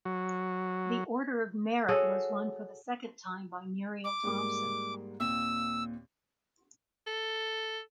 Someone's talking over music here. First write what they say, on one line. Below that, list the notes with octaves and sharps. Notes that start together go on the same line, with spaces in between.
The Order of Merit was won for the second time by Muriel Thomson.
F#3
F#4 G#4 A4 C#5
D6
G#2 G3 A#3
D#2 A#2 C4 E6
A4